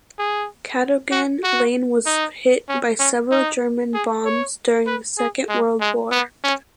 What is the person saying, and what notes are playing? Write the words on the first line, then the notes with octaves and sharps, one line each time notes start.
Cadogan Lane was hit by several German bombs during the Second World War.
G#4
F#4
F#4
D#4
C#4
C#4
D#4
G#4
C#5
B4
G#4
G#3
G#3
B3
C#4